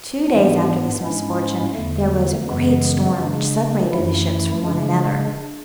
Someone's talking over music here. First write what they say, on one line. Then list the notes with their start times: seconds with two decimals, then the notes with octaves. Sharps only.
Two days after this misfortune, there arose a great storm, which separated the ships from one another.
0.29 G#2 E3 B3 D4
1.02 G#2 G#3 C#4 E4
1.74 E2 D3 A3
2.47 F#2 C#3 E3 G#3 B3
3.20 C#3 G#3 D4
3.92 F#2 E3 A3 E4
4.66 C#3 G#3 D4